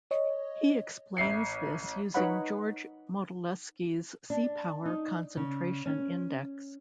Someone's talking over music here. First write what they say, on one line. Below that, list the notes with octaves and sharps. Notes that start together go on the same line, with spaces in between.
He explains this using George Modelski's Seapower Concentration Index.
C#5 D#5
A1 E5 C7 C#7
D#4 B4 C#5 D#5 F#5 B5
D4
D#4
C#3
C#4